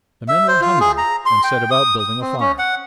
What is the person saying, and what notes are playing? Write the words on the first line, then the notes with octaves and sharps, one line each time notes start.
The men were hungry and set about building a fire.
E5
C5
F4
G#4
A#5
C6
G5
D#6
D#6
C4
C#4
F#5